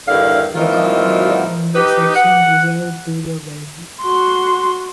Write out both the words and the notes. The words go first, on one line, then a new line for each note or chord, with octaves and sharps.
The common area and the section reserved to the wealthy.
E2 G2 D3 D#3 E4 F5
A#2 D#3 E3 G#3 C4 F4
D#4 G4 B4
F#5
F#4 C6